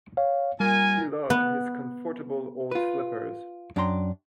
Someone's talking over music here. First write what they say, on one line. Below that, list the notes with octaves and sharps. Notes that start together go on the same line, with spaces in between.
He loved his comfortable old slippers.
C#5 F5
A#2 G3 A#4 G#5
B3
F4 B4
F#2 D4 G5 A#5 C6